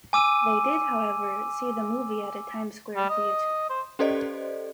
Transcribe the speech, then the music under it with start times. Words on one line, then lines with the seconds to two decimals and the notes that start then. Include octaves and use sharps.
They did, however, see the movie at a Times Square theater.
0.13 G#5 D6 E6 D#7
2.97 G3
3.10 D#5
3.70 C5
3.99 C#4 G4 A4 C5 D5 D#5